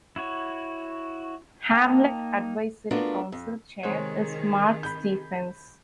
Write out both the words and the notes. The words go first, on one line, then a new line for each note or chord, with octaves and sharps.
Hamlet Advisory Council Chair is Mark Stephens.
E4 F#4 C#5
A#3 D#4 G5 A5 F6
A3 B3 D4 F4 F#4 A#4
F2
C3 D#3 G#3 G#4 C5 C#5
B5 G6